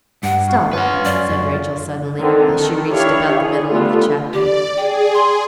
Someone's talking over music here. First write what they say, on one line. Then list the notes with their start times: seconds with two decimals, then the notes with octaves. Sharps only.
'Stop,' said Rachel suddenly, as she reached about the middle of the chapter.
0.23 G2 F#5
0.47 F#4 F5
0.73 C#4 F4 B4 F5
1.05 F#2 D5
1.30 F#2
2.19 D3 D#3 C4
2.54 D#3 A4
2.90 D4 E4 G4 C#5 F5
3.38 G#4
3.71 D3 G3 A3 B3 F4
4.33 G4 D5
4.77 G#4 G5
5.14 C6